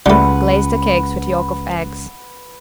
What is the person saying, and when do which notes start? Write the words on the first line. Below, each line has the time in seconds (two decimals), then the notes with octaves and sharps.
Glaze the cakes with yolk of eggs.
0.06 C#2 G3 A3 B4 F#5